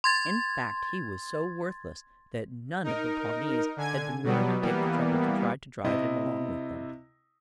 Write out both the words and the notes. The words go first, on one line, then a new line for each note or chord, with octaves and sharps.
In fact, he was so worthless that none of the Pawnees had been willing to take the trouble to try to drive him along with them.
C6 G#6 A6
D#4 A#4
D3 G#5 G#6
B2 F#3 G3 B3
E3 G3 A#3 B3
C3 E4 D#5